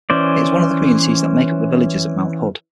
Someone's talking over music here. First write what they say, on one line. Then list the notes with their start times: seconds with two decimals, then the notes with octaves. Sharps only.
It is one of the communities that make up the Villages at Mount Hood.
0.10 E3 C#4 C5 D5